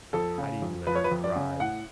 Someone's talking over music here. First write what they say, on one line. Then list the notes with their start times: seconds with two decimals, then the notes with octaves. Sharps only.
Paddy Leonard cried.
0.13 F2 A4
0.38 C#3
0.62 F2
0.87 F3 B4
0.95 C#5
1.04 B4
1.11 F2
1.24 D5
1.36 C#3
1.60 A2 F#5